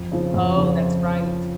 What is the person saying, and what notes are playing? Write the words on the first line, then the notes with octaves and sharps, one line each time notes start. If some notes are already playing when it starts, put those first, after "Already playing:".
Oh, that's right.
Already playing: F2
C#3 F3 C4
F2
C#3 F3 C4